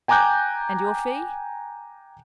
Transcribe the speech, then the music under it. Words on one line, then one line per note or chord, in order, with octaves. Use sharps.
"And your fee?"
G5 G#5 A#5 D6 F#6 G6